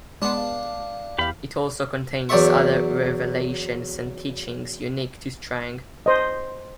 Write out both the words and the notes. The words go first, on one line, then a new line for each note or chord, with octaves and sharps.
It also contains other revelations and teachings unique to Strang.
G#3 B3 D4 A5 C6
F5
E2 G4 F5 B5
E2 F#3 C#5 D5 E5 C#6
C5 D#5